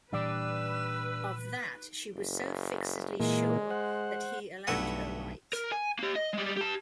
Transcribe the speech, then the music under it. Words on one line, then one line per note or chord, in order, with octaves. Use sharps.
Of that she was so fixedly sure that he allowed her right.
A#2 E3 G3 D4 G4 B4 D5 E6
F#1
A#2 E3 G#3 A#3
C5 F#5
B1 G2 A3 E4 F#5 D#6
A#4
G#5
A#3 G4
D#5
G3 G#3
G4 A5